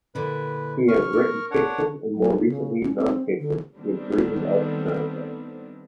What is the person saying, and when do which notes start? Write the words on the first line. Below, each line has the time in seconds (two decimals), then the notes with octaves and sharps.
He has written fiction, and more recently, non-fiction, with "Dreaming up America".
0.15 A#2 D3 E4 B4
0.88 C#3 C#6 F6
1.13 A#4
1.51 D4 C#5 F#5
2.14 F#3
2.45 C#3
2.83 C#4
2.95 C4
3.39 D3
3.77 D#3 G3 A3 B3 C4 D4